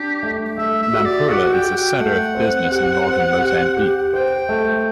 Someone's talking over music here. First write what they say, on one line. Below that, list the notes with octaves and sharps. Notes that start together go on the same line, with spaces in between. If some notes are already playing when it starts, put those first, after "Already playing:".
Nampula is the centre of business in northern Mozambique.
Already playing: D4 G4
A3
A3 E5
E5
F#4
D5
F#4 F#5
G5
F#4
G5
A3 F#5
C4
G4
C4
G4
G4
C5 G5
A3